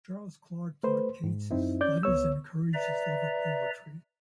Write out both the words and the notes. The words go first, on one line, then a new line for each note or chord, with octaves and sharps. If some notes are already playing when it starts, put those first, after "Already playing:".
Charles Clarke taught Keats his letters and encouraged his love of poetry.
A3 B4 C5
G#2
F#2 C4 D#4 E4
C#4 D5 G6
C#2 B3 C#5 E6
B4 D5 E5 A#5